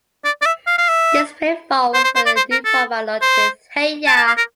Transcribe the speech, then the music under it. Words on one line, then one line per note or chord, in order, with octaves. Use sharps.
This proved false when the new format launched with Hey Ya!
D5
D5
E5
F5
F5
E5
C5
C5
C5
D5
C5
A#4
A4
C5
A5
A5
F5
A#4